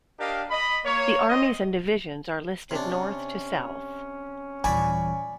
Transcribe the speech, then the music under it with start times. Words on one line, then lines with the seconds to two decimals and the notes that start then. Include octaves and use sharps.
The armies and divisions are listed north to south.
0.18 D4 G4 A#4 D#5 F5
0.50 D#5 B5
0.85 A#3 C#5
1.29 C4 D#5
2.71 C3 C#4 D4
4.64 D#1 E3 D5 G#5 B5 C#6